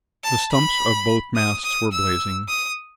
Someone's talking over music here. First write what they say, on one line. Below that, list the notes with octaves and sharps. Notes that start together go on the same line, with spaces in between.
The stumps of both masts were blazing.
A5
B5
D#6
D#6
E6
D#6